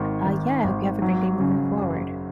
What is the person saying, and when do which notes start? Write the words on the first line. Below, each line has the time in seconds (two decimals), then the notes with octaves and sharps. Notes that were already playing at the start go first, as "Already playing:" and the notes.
uh, yeah, I hope you have a great day moving forward.
Already playing: G#1 D#3
0.25 D#3
0.64 G#1
1.02 F#3
1.40 C#3
1.78 F#2